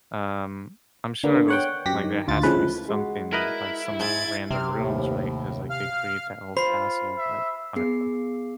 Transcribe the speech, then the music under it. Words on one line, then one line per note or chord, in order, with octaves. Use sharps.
um, I'm sure those like, there has to be something, like, some random rooms, right? 'Cause, like, they create that whole castle, but I don't know.
D3 A#3 B3
C#5 F#5 G5
F#2 G4 A#6 B6
D#3
D2 F4 A6
C#3 E3 F3 G#3 A3 B4
G#3 F#4
E4 A#4 B4 D#5
G#2 G#6 A6
C3 F6
D#2 A2
F5 F6
F4 C5 B5 C7
E5
B3 G#4 C7